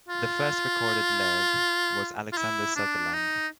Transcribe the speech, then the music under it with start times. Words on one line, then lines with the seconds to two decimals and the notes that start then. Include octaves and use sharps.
The first recorded laird was Alexander Sutherland.
0.09 F4
2.33 F4
2.38 E4
2.76 D4
3.13 D#4